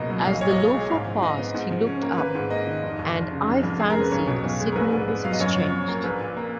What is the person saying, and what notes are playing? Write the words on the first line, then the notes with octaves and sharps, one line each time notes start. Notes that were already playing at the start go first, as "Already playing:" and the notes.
As the loafer passed he looked up, and I fancied a signal was exchanged.
Already playing: C#2 B2 F3 A#3 D#5
F#3
B1 F5
D#5
A#2 C#5
D#5
B1
G#3
G#2 F5
F3
G#2 D#5
B3
G#2
F3
C#4
A#3
G#1 B4
G#2
A#3 D#5
D#3
F1
D#2
F1
C#3
F1
F2
G#3 G#4
A#4
C#3
B4
B1 C#5
B2
B1
G#3
A#4
A#1 B4
G#2
B3
F#3 F5
D#5
F#2 C#5
F3
C#4
A#3
A#1 B4
A#2
A#3